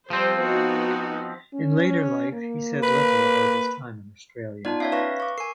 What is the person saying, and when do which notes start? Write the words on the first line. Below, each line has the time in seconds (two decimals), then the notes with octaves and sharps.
In later life he said little about his time in Australia.
0.10 F3 G3 C4 C5
0.40 B3 D#4 F#4
1.54 C#4
2.33 A#3
2.83 B4
4.65 B3 D#4 F4 D5 A5
4.80 C#4 C#5 E5 F5
4.92 B4 F5 C#6 A#6
5.20 C#6 D6
5.38 A#4 G#5 C7